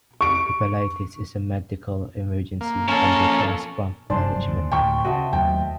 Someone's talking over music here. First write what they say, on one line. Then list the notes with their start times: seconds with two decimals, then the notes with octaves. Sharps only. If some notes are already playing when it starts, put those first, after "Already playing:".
Typhlitis is a medical emergency and requires prompt management.
0.21 C#6 D7
2.61 A#3
2.88 F3 A#3 C#4 A4
4.10 F1 G2 F#3 D4 C5 G#5 A5
4.46 D#2 D3
4.72 D2 A2 G5 C#6
5.05 C#3 F#4 D#5 E5 A5
5.33 D#2 F#3 A3 G5